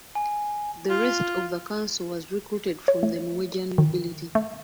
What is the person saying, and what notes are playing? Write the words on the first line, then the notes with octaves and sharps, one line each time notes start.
The rest of the council was recruited from the Norwegian nobility.
G#5
F4
C#5
A3
D#3
A3